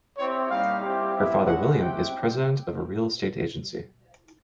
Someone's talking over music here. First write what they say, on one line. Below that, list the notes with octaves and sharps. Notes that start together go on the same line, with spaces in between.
Her father William is president of a real estate agency.
C4 E4 G4 C#5
G3 A#3 D#4 F5
G3 C4 E4 G4
G3 B3 E4
G#3 C#4 F#4 F#5
C4 E4 G4 G5